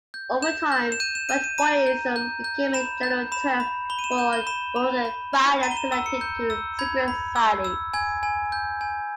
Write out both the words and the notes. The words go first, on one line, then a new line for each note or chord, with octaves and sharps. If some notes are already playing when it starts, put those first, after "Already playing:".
Over time, "Whiteboyism" became a general term for rural violence connected to secret societies.
G6
G6 E7
G6
E7
G6 D#7
E7
G6 D#7
D#7
A#5 D#7
G6
G6
G6
B5 E7
G6
B5 E7
B5
B5 G7
D#7
E7
D#7
G6 E7
G7
B5 E7
B5
B5
B5
A#5 D#7
G7
E7
E6
C#7
G6
E6
B5 G#6
B5
E6
E6
G#5 G#6
G#5
G6
G#5